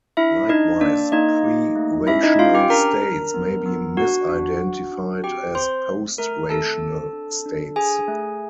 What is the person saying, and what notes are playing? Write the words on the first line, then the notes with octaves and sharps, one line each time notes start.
Likewise, pre-rational states may be misidentified as post-rational states.
D4 E4 E5
D4 D#4 D#5
A#3 D4 D5
A#3 D#4 D#5
G4
A3
C#4 E4 E5
D#4 D#5
C#4 F4 F5
G4 G5
D4 A#4 A#5
D4
B3
B3
D4 F#4 F#5
D4
D4
D4
C4 G4 G5
C4 C5 C6
A3
A3 A#4 A#5
C4 A4 A5
C4
D4
D4
G#4 A4 G#5
A3